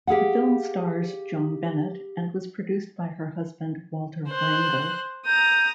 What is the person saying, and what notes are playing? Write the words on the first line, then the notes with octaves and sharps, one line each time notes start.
The film stars Joan Bennett and was produced by her husband Walter Wanger.
G4 G#4 F5 F#5
C5 F#6
A#5 D#6 G6